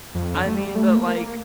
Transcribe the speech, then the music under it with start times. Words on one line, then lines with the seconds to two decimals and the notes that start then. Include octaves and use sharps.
I mean, but like
0.15 F2
0.35 D3
0.46 A3
0.55 G3
0.75 A3
0.96 A#3
1.16 A#3